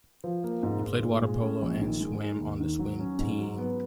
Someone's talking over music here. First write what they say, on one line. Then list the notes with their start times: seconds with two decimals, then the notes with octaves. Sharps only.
He played water polo and swam on the swim team.
0.24 F3
0.44 A#3
0.63 G#2
0.83 G#2
1.02 A#2
1.22 G#3
1.42 C#4
1.61 A#1
1.81 D#3
2.01 G#3
2.21 D#4
2.40 D#2
2.60 D#3
2.79 F#3
2.99 C#4
3.19 G#2
3.39 F#3
3.58 B3